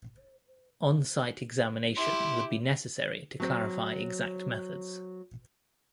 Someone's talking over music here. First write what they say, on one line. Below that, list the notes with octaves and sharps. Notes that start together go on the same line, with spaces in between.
On-site examination would be necessary to clarify exact methods.
E4 G4 C6
F#3 C4